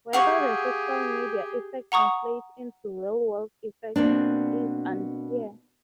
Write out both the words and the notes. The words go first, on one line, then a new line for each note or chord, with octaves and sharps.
Whether the hostile media effect translates into real-world effects is unclear.
G4 G#4 F5 F#5 C#6
F#5 A#5 C#6 D#6
B2 A#3 C4 D4